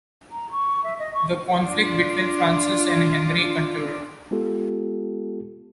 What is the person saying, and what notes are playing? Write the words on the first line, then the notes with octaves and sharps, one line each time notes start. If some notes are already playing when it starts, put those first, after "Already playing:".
The conflict between Francis and Henry continued.
A#5
C#6
E5
D#5
C#6
D4 F4 D5
G#3 B3 F4 G4 A4